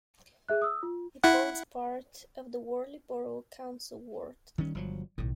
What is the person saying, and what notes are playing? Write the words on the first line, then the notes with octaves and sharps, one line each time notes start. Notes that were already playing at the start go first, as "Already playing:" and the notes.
It forms part of the Warley borough council ward.
G#4 E5 F#6
D#6 E6
F4
E4 F#5
D#3 G3 C#4
G1 F3 F#3
B1 A2 D#3